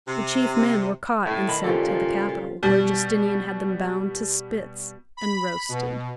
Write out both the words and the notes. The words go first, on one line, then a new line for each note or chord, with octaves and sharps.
The chief men were caught and sent to the capital, where Justinian had them bound to spits and roasted.
C3
A2
B1 D#3 A5 B5
A#2 C#3 F3 G3 C#4 G4 A4
D#3 F3 F4
F4
F4
B2 G3
B5
B2